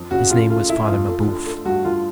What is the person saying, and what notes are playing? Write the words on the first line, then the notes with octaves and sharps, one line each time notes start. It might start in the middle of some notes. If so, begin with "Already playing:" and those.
His name was Father Mabeuf.
Already playing: F2
C#3 F#4
C#3 F4
A3 F4
A3 E4
F2 F4
A3
D3
A3
G2 F#4
D3 F4